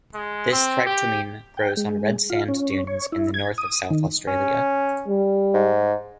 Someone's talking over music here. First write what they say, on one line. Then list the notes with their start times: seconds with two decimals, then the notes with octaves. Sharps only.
This thryptomene grows on red sand dunes in the north of South Australia.
0.14 G#3
0.52 C4
0.85 G4
1.57 G5
1.77 G#3
2.30 F4
2.48 C#4
2.87 C#5
3.12 E4
3.34 G#6
3.58 D#6
3.91 D#3
4.28 C#4
5.07 G3
5.54 G#2